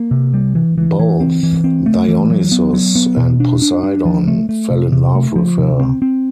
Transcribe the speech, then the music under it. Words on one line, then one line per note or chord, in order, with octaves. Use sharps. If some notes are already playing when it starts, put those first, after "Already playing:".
Both Dionysus and Poseidon fell in love with her.
Already playing: A#3
C3
G3
E3
E3
E3
C4
E3
C4
A3
E3
F#3
B3
F#3
B3
B2
D4
D4
D4
F3
A3
A3
C3
C3
A3
F3
C3
C4
C4